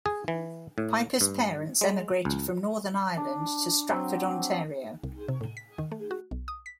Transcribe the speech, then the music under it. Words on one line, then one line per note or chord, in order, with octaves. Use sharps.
Pyper's parents emigrated from Northern Ireland to Stratford, Ontario.
G#4
E3
A2
G2
G#3
C#2
D4
F#3 C4
C2
C3
A2
B6
D#3
A3
F#4
B1
D#6
B6